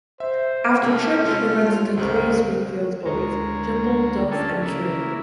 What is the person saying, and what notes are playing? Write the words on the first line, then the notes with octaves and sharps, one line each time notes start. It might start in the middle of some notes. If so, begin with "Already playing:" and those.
After church, he runs into three of Springfield's bullies: Jimbo, Dolph, and Kearney.
C5 E5
C3 A3 C#4
G#3 F4 A4
G1 C#2 C3 A#4
D2 G#3 A#4 C#5
A3 C#4 D4 F4 G#4 A4
C#3 A#3 E4